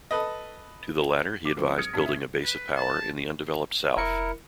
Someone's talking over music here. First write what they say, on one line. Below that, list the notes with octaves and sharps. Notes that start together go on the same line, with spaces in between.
To the latter, he advised building a base of power in the undeveloped south.
A4 B4 D#5
D6
F3 C4
D#6 F6 G#6 A#6 C#7 D7
A#1 B2 C#4 A5 G#6 B6
E5
B4
A5
F1 E4 A#4 C#7